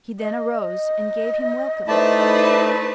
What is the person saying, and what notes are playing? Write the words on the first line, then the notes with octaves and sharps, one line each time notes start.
He then arose, and gave him welcome.
D#5
A3 D#4 E4 B4 C5 D5 E5 A5